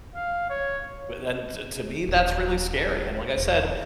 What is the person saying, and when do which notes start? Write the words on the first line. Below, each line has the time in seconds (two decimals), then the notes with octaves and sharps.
and to to me that's really scary, and, like I said,
0.15 F5
0.49 C#5
2.08 D#1
3.38 E1